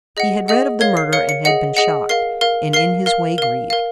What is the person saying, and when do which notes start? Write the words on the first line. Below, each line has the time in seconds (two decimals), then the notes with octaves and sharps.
He had read of the murder, and had been shocked, and, in his way, grieved.
0.17 G#4 D#5 F#5
0.48 G#4 D#5 F#5
0.81 A#4 C#5 F5 G#6
0.97 C7
1.13 A#4 C#5 F5 C#7
1.29 C#7
1.45 G#4 D#5 F#5 C#7
1.77 G#4 D#5 F#5
2.09 A#4 F5 C7
2.41 A#4 F5
2.73 A#4 F5 C7
3.06 A#4 F5
3.38 A#4 F5
3.70 A#4 F5